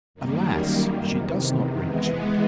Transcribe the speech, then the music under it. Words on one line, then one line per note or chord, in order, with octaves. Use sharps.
Alas, she does not reach it!
F#2 D#3 G3 A#3
E2 C3 D#3
E3 G#3 B3